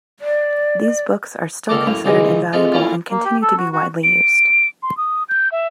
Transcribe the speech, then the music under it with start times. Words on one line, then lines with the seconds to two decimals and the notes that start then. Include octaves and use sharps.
These books are still considered invaluable and continue to be widely used.
0.21 D5
1.69 C#2 A#2 A4 A#4 A5 D6
1.86 F#2 A2 A#3
2.04 C#2 C3 D#3 E3 G#3
2.53 C3 G#3 A3 F4
2.73 A3 A#3 C#4 E4 F4
3.10 A#3
3.25 G4
3.42 A4
3.58 F#4
3.73 F#4
4.03 D7
4.83 C6
4.97 D#6
5.29 G6
5.52 E5